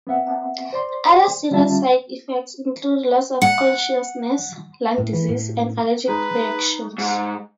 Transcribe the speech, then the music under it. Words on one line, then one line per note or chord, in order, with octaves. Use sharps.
Other serious side effects include loss of consciousness, lung disease, and allergic reactions.
B3 C4 E5 F#5
C5 D5 C6
D3 G3 C#4 F4 E5 A5
F#5
A2
E3
A2
G#3 D#4 B4
G#2